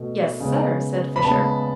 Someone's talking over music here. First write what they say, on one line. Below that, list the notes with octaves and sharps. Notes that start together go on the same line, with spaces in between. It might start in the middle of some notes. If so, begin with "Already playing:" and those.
"Yes, sir," said Fisher.
Already playing: B2 A3
C#3 G#3 B3
B5
C#3 G#3 B3 A5